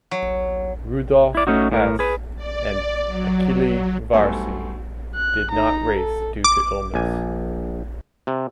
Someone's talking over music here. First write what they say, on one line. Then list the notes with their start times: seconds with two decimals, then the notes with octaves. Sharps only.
Rudolf Hasse and Achille Varzi did not race due to illness.
0.11 F#3
1.35 E4 D5
1.47 A3 C#4 D#4 F#4
1.72 A2 A#4
1.99 G#4 B4
2.36 D5
3.06 F#3
4.13 B1 G2 A3 C5 G#5
5.16 F#6
5.51 D#4 A#5
5.95 A4
6.44 D6
6.94 A#1 G#5
8.27 C3